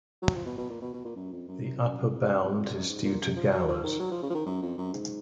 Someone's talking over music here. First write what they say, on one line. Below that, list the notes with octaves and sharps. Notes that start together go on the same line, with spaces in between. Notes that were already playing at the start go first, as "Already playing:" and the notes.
The upper bound is due to Gowers.
F#3
F3
B2
B2
A#2
B2
B2
A#2
F#2
F2
F#2
F#2
F2
F#2
F#2
F2
F#2
F2
F2
F#2
G#2
A#2
F#2
F3
F#3
F3
D#3
F#3
F3
C#3
F3
D#3
F#2
F2
F#2
G#2